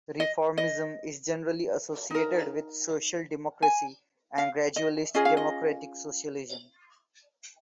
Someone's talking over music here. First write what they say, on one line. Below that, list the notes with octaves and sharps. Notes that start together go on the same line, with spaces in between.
Reformism is generally associated with social democracy and gradualist democratic socialism.
D#5
D#5
D#4 A#4
G#5
F5
D#5
C#4 F4 G#4 D#5
F5
D#5